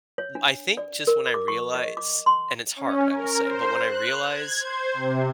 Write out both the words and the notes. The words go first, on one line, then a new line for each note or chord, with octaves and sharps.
M I think just when I realize and it's hard, I will say, but when I realize
C#5
D4
D5
A#4
D6
C#6
D#5
D6
C6
C#4
A#4
C5
F#6
G#6
C5
C3